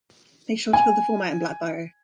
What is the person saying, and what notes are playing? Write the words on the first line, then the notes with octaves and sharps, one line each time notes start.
Make sure to fill the form out in black biro.
G#5